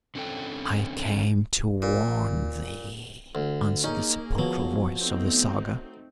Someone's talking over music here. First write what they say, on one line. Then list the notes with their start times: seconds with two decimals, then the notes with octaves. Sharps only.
'I came to warn thee,' answered the sepulchral voice of the saga.
0.15 D3 C4 C#4 A4 G5
1.82 A#2
3.35 D2
3.84 A#3 C#4 D#4 G#4
4.38 F3 F#3 B3
4.98 A3 C4 D#4